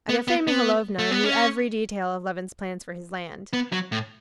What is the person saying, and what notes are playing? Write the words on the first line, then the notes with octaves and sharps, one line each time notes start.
Agafea Mihalovna knew every detail of Levin's plans for his land.
B3
B3
B3
A3
B3
C#4
B3
F#3
A2